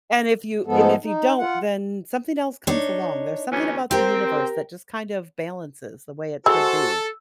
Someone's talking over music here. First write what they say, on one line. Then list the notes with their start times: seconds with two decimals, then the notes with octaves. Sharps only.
And if you and if you don't, then something else comes along. There's something about the universe that just kind of balances the way it should be.
0.66 G#2 F3 G#3 B3 A4
1.04 D#4
1.39 F4 F#5
2.67 D4 D#4 C#5
3.52 D2 E3 C#4
3.91 C4 G4 A#4
6.46 G#3 F#4 A4 C5 E6